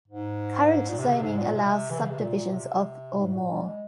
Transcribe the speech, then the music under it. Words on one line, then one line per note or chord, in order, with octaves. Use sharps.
Current zoning allows subdivisions of or more.
G#2
A#2
C3
C#3
C3
G#2
A#2
C3
E3
C#3
C3
A#2
A#2
C3
G#2
A#2
G3
G#3